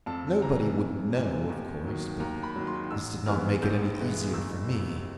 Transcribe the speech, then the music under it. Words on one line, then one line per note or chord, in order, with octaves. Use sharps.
Nobody would know, of course, but this did not make it any easier for me.
F2 A5
C3 E3 A#5
F2
C3 E3
D#2
D#3 F#3
D#2 A#5
B5
D#3 F#3
C6
A1 E6
G2 E3 G#3 B3 F6
A1 G6
G2 E3 G#3 B3
F#1 E6
F2 C3